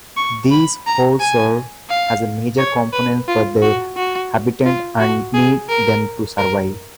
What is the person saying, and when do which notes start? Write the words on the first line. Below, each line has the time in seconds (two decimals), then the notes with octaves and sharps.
These hosts serve as major components for their habitat and need them to survive.
0.17 C#6
0.51 B5
0.87 A#5
1.20 G#5
1.89 F5
2.59 C#5
2.93 B4
3.28 F4
3.62 F#4
3.97 F#4
4.65 F4
5.00 F#4
5.34 G#4
5.69 A#4
6.38 A#4